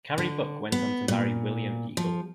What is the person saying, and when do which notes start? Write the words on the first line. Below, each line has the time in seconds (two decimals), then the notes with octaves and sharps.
Carrie Buck went on to marry William Eagle.
0.18 D3
0.72 B3
1.08 A#2
1.97 F3